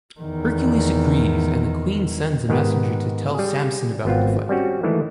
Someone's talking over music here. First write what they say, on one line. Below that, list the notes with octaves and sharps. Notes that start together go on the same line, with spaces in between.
Hercules agrees and the queen sends a messenger to tell Samson about the fight.
E2 D#3
G#2 D#3 B3 G4 B4
G3 G#4
G#1 B3 C4 F4
G3 C4 C#4 F#4
D#3 E3 G#3 A3 E4